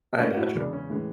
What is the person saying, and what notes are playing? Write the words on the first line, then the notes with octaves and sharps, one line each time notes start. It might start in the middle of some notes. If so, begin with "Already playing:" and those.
I imagine,
A2 G#3 C#4
D4
F#4
E4
F#4
E2 C#3 G#3 D4
C#4
A2 E3 G#3